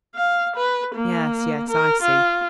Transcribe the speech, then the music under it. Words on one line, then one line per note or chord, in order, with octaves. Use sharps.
Yes, yes; I see.
F5
B4
A#3
A#4
F4